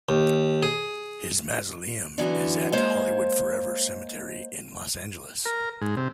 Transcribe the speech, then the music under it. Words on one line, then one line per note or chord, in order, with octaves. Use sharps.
His mausoleum is at Hollywood Forever Cemetery in Los Angeles.
D#2
G#4
D3 E3 F#3 B3 C#4 D4
G#3 A#3 C5 C#5 F5
A#4
G#2
C3